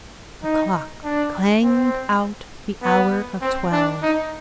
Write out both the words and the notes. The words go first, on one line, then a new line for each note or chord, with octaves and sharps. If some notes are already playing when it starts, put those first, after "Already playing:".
The clock clanged out the hour of twelve.
D#4
D4
C4
B3
C4
D4
D#4